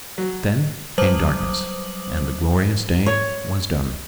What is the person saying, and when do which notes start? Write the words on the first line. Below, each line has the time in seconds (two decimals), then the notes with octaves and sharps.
Then came darkness, and the glorious day was done.
0.18 F#3
0.98 F#3 G3 C5 D6 D#6 F#7
3.06 C#5